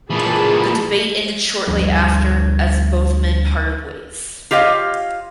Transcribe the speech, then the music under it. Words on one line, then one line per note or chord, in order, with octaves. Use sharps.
The debate ended shortly after as both men parted ways.
A#2 E3 G#4 A5 B5
D2 F3 G3
F4 G4 C#5 D#5 F5